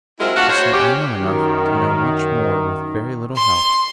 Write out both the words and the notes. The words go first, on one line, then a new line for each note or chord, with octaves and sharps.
You see I know enough to know much more with very little help.
F#3 G#3 C4 E4 F4 A#4
A3 D4 F4 F#4
F#4 C5 C#5
C#4 G4
F#2 D#3
C6